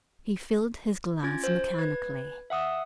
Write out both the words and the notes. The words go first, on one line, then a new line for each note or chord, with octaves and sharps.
He filled his glass mechanically.
C#4 F4 G#6 A6 D7
C5
B4 G#6
E5 F#5 D#6 E6